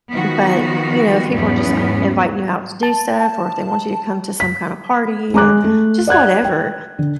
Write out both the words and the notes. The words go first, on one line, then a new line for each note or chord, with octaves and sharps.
But, you know, if people are just like, inviting you out to do stuff or if they want you to come to some kind of party or just whatever,
D#3 F3 B3 F#4
E2 G#2 F#3 B3 C#4
A5
B6
G#3 A#5 D6 F#6
A3
D5 F#5 F#6 G#6
G5
D3